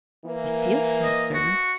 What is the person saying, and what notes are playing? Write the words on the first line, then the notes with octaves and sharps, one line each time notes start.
"I feel so, sir."
E3 A#3
D#5
F#4